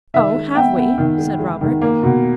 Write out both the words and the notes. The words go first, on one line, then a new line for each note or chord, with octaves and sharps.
'Oh, have we?' said Robert.
D#3 E5
G#3
B3 G5
B3
D#3
G#3
G#3
D#3
A#3
B2